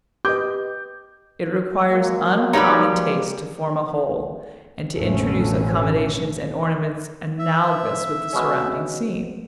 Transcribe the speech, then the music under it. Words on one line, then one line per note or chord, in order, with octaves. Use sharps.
It requires uncommon taste to form a whole, and to introduce accommodations and ornaments analogous with the surrounding-scene.
G4 B4 D#5 D6 G6
F#3 G#3 A#3
G3 D#4 G4 B4 C#5
A1 F2 B2 D3 A3 C#4
E5
B2 G#3 C#4